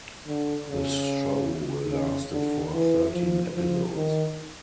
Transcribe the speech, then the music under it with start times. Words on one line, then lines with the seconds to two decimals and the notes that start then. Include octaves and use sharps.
The show lasted for thirteen episodes.
0.28 D3
0.69 C#3
1.91 C#3
2.32 D3
2.73 E3
3.13 F3
3.54 F3
3.95 D#3